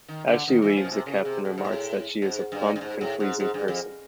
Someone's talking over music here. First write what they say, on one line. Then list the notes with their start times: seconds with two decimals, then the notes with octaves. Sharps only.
As she leaves, the Captain remarks that she is "a plump and pleasing person".
0.08 D#3
0.27 D3
0.48 D#3
0.62 E3
0.77 F3
0.84 B2
0.91 C3
1.06 C#3
1.25 C3
1.45 B2
1.58 G#2
1.64 A2
2.22 G#2
2.52 G2
2.76 G2
2.81 G#2
3.01 A2
3.20 G#2
3.40 G#2
3.54 G2
3.68 F2